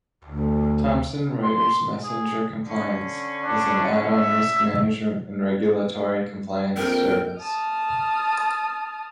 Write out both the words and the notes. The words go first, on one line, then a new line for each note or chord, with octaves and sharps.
Thomson Reuters Messenger Compliance is an add-on risk management and regulatory compliance service.
D2
C6
G#4
D3 C#4
D4
E5
A#1 F2 A#4 G5
A5 D#6 F6